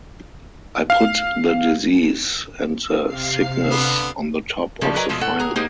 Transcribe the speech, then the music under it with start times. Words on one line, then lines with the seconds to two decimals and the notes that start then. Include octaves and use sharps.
I put the disease and the sickness on the top of the fire.
0.90 F5
3.07 C3 F5 C7
3.71 D3 B3
4.81 A2 C#3 F3 G3 A3
4.96 F#3 A#4 B4 D#5 G#5 A#5
5.09 B2 F3 G#3 A3 G#4
5.21 A2 A4 F#5
5.40 G#4 A#5
5.56 A#3 D#4 G4 G#4 C5